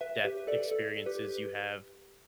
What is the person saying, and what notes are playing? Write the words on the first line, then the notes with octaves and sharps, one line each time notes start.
death experiences you have
B4 E5
G4 B4
A4 D5
A4
G4 B4